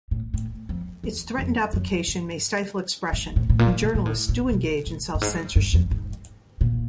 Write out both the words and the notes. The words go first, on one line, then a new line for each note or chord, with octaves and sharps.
Its threatened application may stifle expression and journalists do engage in self-censorship.
A2
A2
F2
E2
F2
F#2
G2
G#2
A2
A2
A#2
A#2
A#2
A2
A2
B2
A2
G2
G#2
G2
F2
G#2
A#2